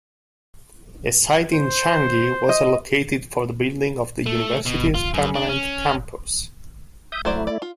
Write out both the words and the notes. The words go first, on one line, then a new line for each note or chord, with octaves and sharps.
A site in Changi was allocated for the building of the university's permanent campus.
C5
D#5
A3
B2
F4
F#2
D4
C#4
E5 D#6 G6
F#3 A3 E4 C5 D5
D5
F4